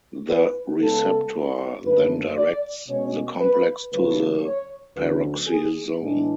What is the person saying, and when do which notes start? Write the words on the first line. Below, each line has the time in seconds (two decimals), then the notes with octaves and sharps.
The receptor then directs the complex to the peroxisome.
0.29 B4
0.80 C#3 G#3 B3 A4
1.84 F#2 D3 A3 B4
2.36 D5
2.88 B2 G#3 C#4 C#5
3.40 B4
3.91 C#3 F#3 A3 C#4 B4
4.44 C#5
4.95 D2 D3 F#3 C#4 B4
5.48 G#4
6.00 A2 E3 G#3 D4